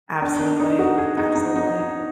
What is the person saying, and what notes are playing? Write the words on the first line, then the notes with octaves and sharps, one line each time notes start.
Absolutely. Absolutely.
D4
D4
D#4
F#4
G#4
D#4
D#4
D#4